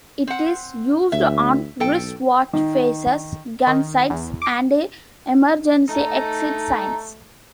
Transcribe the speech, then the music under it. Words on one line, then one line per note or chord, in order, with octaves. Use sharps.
It is used on wristwatch faces, gun sights, and emergency exit signs.
C4 F#5
D2 E5
B1 A4 G5
D#3
D#3
E2
D6
A3 D#4